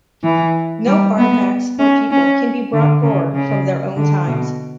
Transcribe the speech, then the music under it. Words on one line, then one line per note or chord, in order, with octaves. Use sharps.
No artifacts or people can be brought forward from their own times.
E3
G3
B3
C#4
C#4
D3
C#3
C#3
D3
B2